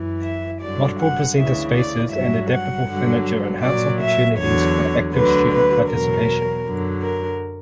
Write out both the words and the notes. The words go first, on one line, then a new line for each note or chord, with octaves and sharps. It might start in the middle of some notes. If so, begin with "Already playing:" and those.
Multiple presenter spaces and adaptable furniture enhance opportunities for active student participation.
Already playing: F#2 E3
E5
G2 D3 F#3 D5
F#5
D2 C#3 E3 E5
D5
G2 F#3 E5
F#5
G2 D3 F#3
A#2 F#3 D5
E5
E2 D3 F#3 C#5
D2 D3 F#3 B4
B4
E2 B2 F#3 A#4
F#2 D3 F#3
A#4